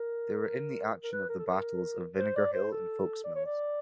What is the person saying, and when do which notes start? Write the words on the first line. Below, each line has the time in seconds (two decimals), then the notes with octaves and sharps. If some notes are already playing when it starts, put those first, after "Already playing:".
They were in the action of the battles of Vinegar Hill and Foulksmills.
Already playing: A#4
1.03 A#4
1.12 B4
1.29 A#4
1.38 A4
1.47 A#4
2.18 C5
2.36 D5
2.53 C5
2.71 A4
3.24 D5
3.35 C#5
3.45 D5